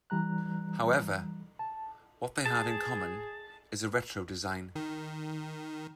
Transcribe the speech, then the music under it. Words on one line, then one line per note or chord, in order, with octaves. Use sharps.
However, what they have in common is a retro design.
E3 G3 A#5 F#6
A5
G#4 A5
D#3